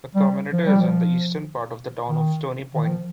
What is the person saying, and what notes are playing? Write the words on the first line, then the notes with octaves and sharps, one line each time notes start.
The community is in the eastern part of the town of Stony Point.
G3
F3
G3
F3
D#3
D#3
F3